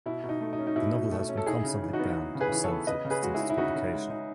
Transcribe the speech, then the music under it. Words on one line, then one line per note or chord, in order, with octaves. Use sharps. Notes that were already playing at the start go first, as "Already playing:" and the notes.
The novel has been constantly banned or censored since its publication.
B2 E4
B2
D#4
A3
D#4
C#4
D#4
B2 E4
B2
A3
C#4
A4
D#4 E4 G#4
C#3
E3
D#4 F#4
B3
D#4
C#3
G#4 B4
E3
A4 C#5
B3
C#3 B4 D#5
C#3
G#4 B4
G#3 F#4
E4 G#4
D#4
E4
C#3 D#4 F#4
C#3
G#3
D#4